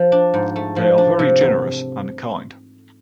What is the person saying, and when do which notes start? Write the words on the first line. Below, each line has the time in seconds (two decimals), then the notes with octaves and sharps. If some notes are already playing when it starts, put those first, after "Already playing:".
They are very generous and kind.
Already playing: F3
0.12 D4
0.34 G#2
0.56 A3
0.76 F3
0.98 D4
1.19 C3
1.41 E2